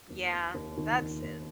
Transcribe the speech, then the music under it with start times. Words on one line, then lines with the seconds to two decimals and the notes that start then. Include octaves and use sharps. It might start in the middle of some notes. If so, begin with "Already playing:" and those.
Yeah. That's e
0.10 D#2
0.32 A#3
0.54 D#2
0.77 D#3
1.00 D#2
1.22 D#2